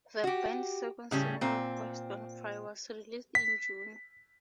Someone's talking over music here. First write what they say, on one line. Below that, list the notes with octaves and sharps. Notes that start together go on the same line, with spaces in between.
The band's second single, "Boys Don't Cry", was released in June.
F#4 G4
A2 C#3 G3 C#4
A#2 C4
B6